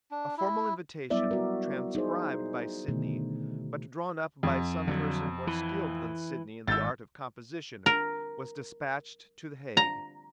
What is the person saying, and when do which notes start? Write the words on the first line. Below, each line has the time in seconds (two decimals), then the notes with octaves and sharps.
A formal invitation, transcribed by Sidney but drawn up by some person more skilled than Sidney, in the art of composition, was despatched to the Hague.
0.11 D4
0.38 E4
1.10 F#3 G3 B3 E4 D5 E5
1.31 F#4 A#4
1.95 D#4 G#4 C5
2.88 B2 D3 D#3 A3
4.43 F2
4.87 D3 E3 F#3
5.47 E3
6.68 G#1 G#2 E6 G6 A6
7.86 A#4
9.77 A#5